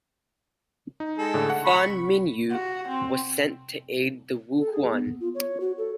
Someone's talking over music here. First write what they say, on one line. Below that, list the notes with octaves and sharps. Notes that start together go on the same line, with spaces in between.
Fan Minyu was sent to aid the Wuhuan.
D#4
G#3 A4
A2 D3
F#5
B5 C#6
F#4
C4
A4
G#4
B3
F4
C#5
F#4
A4